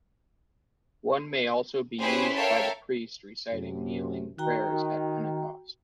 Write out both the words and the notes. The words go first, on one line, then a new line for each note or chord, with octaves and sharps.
One may also be used by the priest reciting Kneeling Prayers at Pentecost.
C#4 E4 G4 G#4 B4 C5
A4 A#4 C#5 E5 F5 G5
F#2 C3
D#3 F#4 G5 A#5